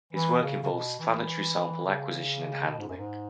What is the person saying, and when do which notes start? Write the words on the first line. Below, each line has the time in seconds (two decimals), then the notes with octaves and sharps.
His work involves planetary sample acquisition and handling.
0.13 E3
0.43 C#3
0.63 C#3
0.71 B2
0.99 E3
1.85 C#3
2.69 B2
2.78 G#2
2.88 F#2
2.97 G#2